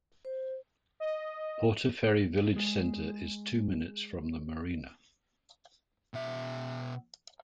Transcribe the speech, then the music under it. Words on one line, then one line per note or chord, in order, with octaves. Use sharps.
Portaferry village centre is two minutes from the marina.
C5
D#5
G#3 G#4
B2 E5